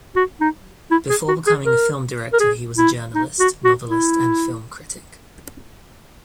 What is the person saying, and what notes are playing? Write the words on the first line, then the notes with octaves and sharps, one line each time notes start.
Before becoming a film director he was a journalist, novelist and film critic.
F#4
D#4
E4
G#4
F#4
G#4
A#4
A#4
G#4
E4
D#4
F#4
F#4
E4